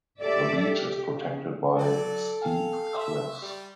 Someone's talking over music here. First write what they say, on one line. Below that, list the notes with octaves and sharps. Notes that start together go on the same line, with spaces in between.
The beach is protected by steep cliffs.
G4 A4 D5 E5
G4
C#3
F#3 A4 D5
F5 G5 G#5
E5 C6
G3